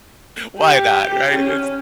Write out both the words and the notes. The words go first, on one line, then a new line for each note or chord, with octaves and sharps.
why not, right? It's
G4
C#4